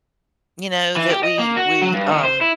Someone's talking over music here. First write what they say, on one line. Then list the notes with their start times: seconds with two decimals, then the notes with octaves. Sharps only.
you know, that we we, um
0.96 E3
1.10 G4
1.24 D#5
1.39 A#3
1.57 F#4
1.82 F#3
1.94 G2
2.11 D#3
2.25 C5
2.42 E4